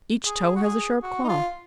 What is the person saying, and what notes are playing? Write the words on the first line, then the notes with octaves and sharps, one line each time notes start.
Each toe has a sharp claw.
G#4
F#4
G#4
F#4
D#4
F4